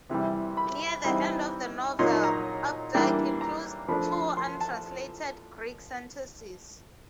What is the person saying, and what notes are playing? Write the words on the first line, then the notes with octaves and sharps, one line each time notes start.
Near the end of the novel, Updike includes two untranslated Greek sentences.
C3 E3 G3
B5
E3 G3 C4 D#4 B5
A#2 F#3 A#3 D#4 C6
A#5
E3 G3 A#3 D4
A#5
F3 A3 D4 B5
C6
C6
A5